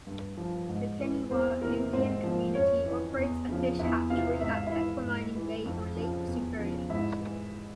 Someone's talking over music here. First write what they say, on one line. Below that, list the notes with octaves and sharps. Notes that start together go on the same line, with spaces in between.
The Keneewaw Indian Community operates a fish hatchery at Pequamining Bay on Lake Superior.
G2
F3
G#2
E3
E2 C4 C5
C3 E3 A#3 A#4
G#2 C4 C5
F3
F2 C#4 C#5
E3
E2
C#3 F3
E2 E4 E5
C3 E3 F4 F5
G#2 E5
F5
E4 E5
E3
G#2
E3
F2
C#3 F3
E2
C#3 F3
G#2 E4 E5
E3